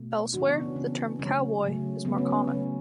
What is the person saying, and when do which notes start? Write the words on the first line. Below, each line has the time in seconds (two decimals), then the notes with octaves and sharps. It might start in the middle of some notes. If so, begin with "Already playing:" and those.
Elsewhere, the term "cowboy" is more common.
Already playing: B2 A3
0.33 C#3 E3 G#3 D4 F#4
0.47 B3 D4
0.61 C#4
0.76 C#3 E3 G#3 B3
1.19 C#3 F#3 A3 C#4
1.63 C#3 F#3 A3
2.05 C#3 F#3 A3 B3
2.18 C#4
2.31 B3
2.48 C#3 F#3 A3 C#4